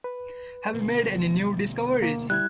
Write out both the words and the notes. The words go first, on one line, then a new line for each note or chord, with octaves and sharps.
Have you made any new discoveries?
B4
D2 B2
A#3
G3 E4 F#6 G#6